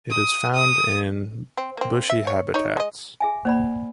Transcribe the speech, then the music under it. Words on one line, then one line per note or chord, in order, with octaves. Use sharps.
It is found in bushy habitats.
D#6
D#6
C4
A#3 C4
E5
C#5
D#4 C#5
G#3 D#5
G#4 E5 G#5
A#3 C5 D5 B5